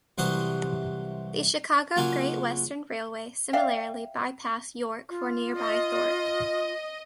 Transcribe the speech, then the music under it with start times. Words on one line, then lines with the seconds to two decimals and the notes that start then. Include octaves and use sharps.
The Chicago Great Western Railway similarly bypassed York for nearby Thorpe.
0.18 C2 E3 F#3 C5 F#5 D#6
1.96 C#3 F#3 A#3 F4 F#4 G#5
3.53 D5 E5 F5 G5
5.09 F4
5.58 D#5